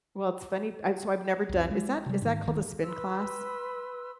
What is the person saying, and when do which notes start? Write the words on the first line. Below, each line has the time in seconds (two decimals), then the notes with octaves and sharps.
Well, it's funny b so I've never done is that is that called a spin class?
1.49 C2 F2
1.71 G#3
2.06 C3 G3
2.22 G#2 D#3
2.46 D1 D#3
2.83 B4 C6 E6